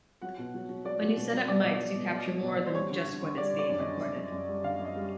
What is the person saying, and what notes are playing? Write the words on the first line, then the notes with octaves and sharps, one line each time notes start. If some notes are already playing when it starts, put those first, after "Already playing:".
When you set up mics, you capture more than just what is being recorded.
F#3 F#5
B2
F#3
F#3
F#3 D5
F#3
B2
F#3
B2 D5
B2 D#5
D5
F#3
B2
F#3
F#3
B2
F#3
C5
G3 C#5
D3
D3
D3
G3 D5
D3 D5
F#2
D#5
D3
F#2 E5
F#2
F#2
G3
D3 F5
F#2
D#5
G3